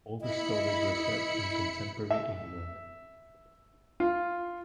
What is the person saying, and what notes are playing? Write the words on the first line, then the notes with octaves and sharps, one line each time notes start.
All the stories were set in contemporary England.
E4 D#5 B5 C#7
E5
F4